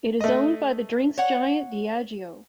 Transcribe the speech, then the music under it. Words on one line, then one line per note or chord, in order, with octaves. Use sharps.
It is owned by the drinks giant Diageo.
A3 D#5
C#5 F#5